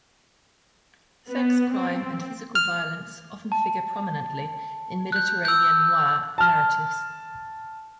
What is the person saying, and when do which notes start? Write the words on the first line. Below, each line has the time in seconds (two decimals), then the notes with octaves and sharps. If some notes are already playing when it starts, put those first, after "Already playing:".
Sex, crime, and physical violence often figure prominently in Mediterranean Noir narratives.
1.29 B3
1.73 C4
2.55 F6
3.52 A5
5.12 F#6 G6
5.45 E6 G6
6.38 A5 F6